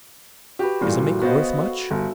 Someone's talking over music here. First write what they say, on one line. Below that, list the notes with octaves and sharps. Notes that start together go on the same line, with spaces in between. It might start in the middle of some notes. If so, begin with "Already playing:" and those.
"Is a mink worth much?"
F#4 G4 B4
G2 A#2 E3 G3 A3 F#4
B3 F#4 C5 D#5 F5
G1 E5